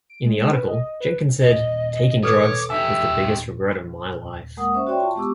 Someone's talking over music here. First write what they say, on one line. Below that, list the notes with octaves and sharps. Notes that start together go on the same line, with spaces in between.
In the article Jenkins said "taking drugs is the biggest regret of my life".
D7
G#3
G#3
B4
D#5
B4
D#5
A4 B4 C#5 D6
B1 G4 E5 G#5 E6
G#3 A#3 A#4 F#5 D#6
C#4 C5 E5 C#6
F#4 C#5 D5 E5 G5 C6
F4 A5 C#6
G#3 B3 G4 C#6 D6 E6